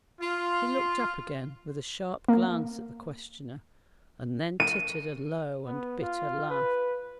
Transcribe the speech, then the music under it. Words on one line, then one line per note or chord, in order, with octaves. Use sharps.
He looked up again, with a sharp glance at the questioner; and then tittered a low and bitter laugh.
F4
A#3
D#7
B3
F4
B4